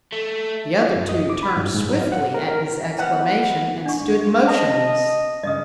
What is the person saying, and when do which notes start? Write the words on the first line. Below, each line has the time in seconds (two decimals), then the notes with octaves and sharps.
The other two turned swiftly at his exclamation and stood motionless.
0.13 A3
0.95 F#2
1.09 D#5
1.30 D6
1.43 B5
1.57 G2
1.74 G#2
1.89 F#3
2.01 F5
2.12 F#5
2.34 A#4
2.48 A#4
2.98 B3 B4 C#5 F#5
3.86 D4 C#6
4.00 G2
4.48 D#5 A5
5.43 G2 C#3 D#5 D#6